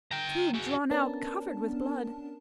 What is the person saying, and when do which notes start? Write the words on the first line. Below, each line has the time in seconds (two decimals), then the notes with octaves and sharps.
Tube drawn out covered with blood.
0.11 G5 A#5
0.54 F#4 G#4
0.91 B3 C#4 D4 A#4 A5